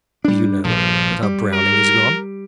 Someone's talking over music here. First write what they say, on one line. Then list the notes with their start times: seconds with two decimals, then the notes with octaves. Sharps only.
Do you know that our Browning is gone?
0.25 G3 D4
0.64 A#1 G2 F3
1.22 G3
1.53 A#4